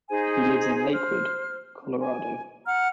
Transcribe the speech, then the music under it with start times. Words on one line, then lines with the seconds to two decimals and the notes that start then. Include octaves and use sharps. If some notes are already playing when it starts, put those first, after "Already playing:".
He lives in Lakewood, Colorado.
0.09 D#4 G#4 C5 G#5
0.92 C5 F6
2.00 G#5
2.65 F#5 A#5 F6